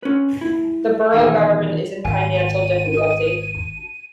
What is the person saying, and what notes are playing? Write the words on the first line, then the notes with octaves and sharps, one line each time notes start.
The borough government is in financial difficulty.
C#4 B4
E4
E2 B2 D#3 G#4 E5 G5
G#1 F5 G#5 D#7